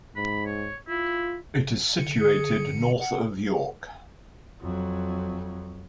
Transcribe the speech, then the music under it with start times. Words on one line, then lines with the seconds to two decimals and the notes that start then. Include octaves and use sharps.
It is situated north of York.
0.16 G#2 B5
0.46 C#5
0.88 E4 F4
1.99 D3 C#7
2.21 G#4
3.01 F#5
4.61 F2 F#3